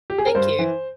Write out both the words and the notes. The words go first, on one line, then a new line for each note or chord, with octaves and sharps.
Thank you.
G4
G#4
A#4
G2 C5
E3